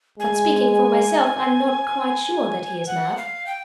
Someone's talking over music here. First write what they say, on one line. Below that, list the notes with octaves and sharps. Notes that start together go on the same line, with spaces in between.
"But, speaking for myself, I'm not quite sure that he is mad."
G#3 G#5
F#5
F5
G5